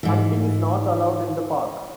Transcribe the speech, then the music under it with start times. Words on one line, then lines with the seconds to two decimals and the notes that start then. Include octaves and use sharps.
Hunting is not allowed in the park.
0.03 G#2 E3